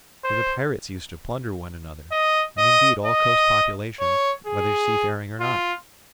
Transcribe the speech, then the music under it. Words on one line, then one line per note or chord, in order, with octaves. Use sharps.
For the pirates used to plunder one another, and indeed all coast populations, whether seafaring or not.
C5
D#5
D#5
D#5
C#5
G#4
F4